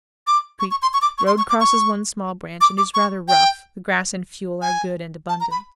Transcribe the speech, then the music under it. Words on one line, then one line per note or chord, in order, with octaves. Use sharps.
Creek.--Road crosses one small branch, and is rather rough. The grass and fuel are good and abundant.
D6
C#6
C#6
C6
C#6
D6
C#6
C6
C#6
D6
C#6
D6
D6
C#6
G5
G#5
A5
A#5
B5